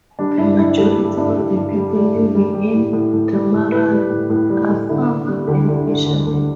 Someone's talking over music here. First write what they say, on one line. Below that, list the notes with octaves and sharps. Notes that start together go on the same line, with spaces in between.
The majority of the people living in Dumaran are farmer and fisherman.
G3 D4
G2 E4
G2 E4
G3 A4
G3 G4
G2 E4
G2 G4
G2
G3
G3
G2
G3
G3 G4
A2
A2
A2
G3
A2
A2 B4
G3
A2
A2
G3
A2
D3 E4
D3
G3
D2 G4
D3
D3
D2
D2